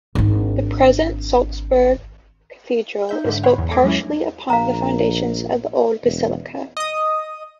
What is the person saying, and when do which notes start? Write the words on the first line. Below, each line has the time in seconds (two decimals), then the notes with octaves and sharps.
The present Salzburg Cathedral is built partially upon the foundations of the old basilica.
0.15 G#1 D4
3.09 D#4 E5 G6
3.25 G#2 D3
3.43 C#5 F#5 G5 B5 C6
3.58 E2
3.71 A3 D6 G#6 A#6
3.84 F#3 G#3 C#4 E4
4.50 A#1 F5 A#5
6.04 E1
6.77 D#5 D#6